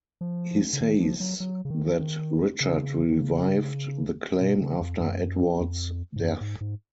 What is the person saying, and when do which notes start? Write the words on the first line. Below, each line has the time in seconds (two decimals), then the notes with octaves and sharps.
He says that Richard revived the claim after Edward's death.
0.21 F3
0.73 C#3
0.81 D#3
1.00 F3
1.20 F#3
1.40 F#3
1.65 C#3
1.70 D#3
2.00 D#3
2.61 C#3
3.11 D#3
3.21 C#3
4.41 B2
4.61 C#3
4.81 F2
5.00 F#2
5.60 F2
6.16 G#2
6.20 F#2
6.41 G#2
6.61 G#2